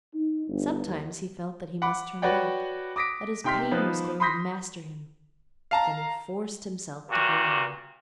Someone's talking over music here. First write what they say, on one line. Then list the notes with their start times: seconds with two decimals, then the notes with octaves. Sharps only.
Sometimes he felt that he must turn back--that his pain was going to master him; then he forced himself to go on.
0.14 D#4
0.48 G1
0.87 D#2
1.82 F#5 B5 D6
2.22 F#4 B4 C#5 D5 F#5 G5
2.96 D6 D#6 A#6 B6 D7
3.44 C3 D#4 G5 C6 F6 B6
3.71 F3 B3 D#4 B4 C5
4.20 B5 C6 D#6 G6 A#6 B6
5.71 F5 A5 A#5
7.09 G2 A#2 F#4